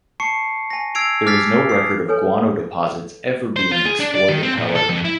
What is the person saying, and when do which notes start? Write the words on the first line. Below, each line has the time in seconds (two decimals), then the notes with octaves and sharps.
There is no record of guano deposits ever being exploited, however.
0.20 A5 C#6 C7 C#7
0.70 G#5 A#6
0.95 E6 G#6 C7 D7 F7
1.26 D6 F6 G#6 A6 B6 C7
1.69 D#6 C7
2.08 A4 B4 C#5 G#5
3.56 C5
3.72 F4
3.86 G#4
4.00 D4
4.15 D5
4.29 D#3
4.43 C4
4.58 A#2
4.76 A4
4.89 F2
5.04 E4